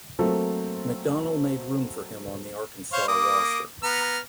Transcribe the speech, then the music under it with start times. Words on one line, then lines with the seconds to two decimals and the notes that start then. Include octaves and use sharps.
McDonnell made room for him on the Arkansas roster.
0.19 F#3 A3 A#3 C4 F#4 A4
2.93 C5 C#5 F5
3.08 A#3 D6 D#6
3.83 B3 A#5 F6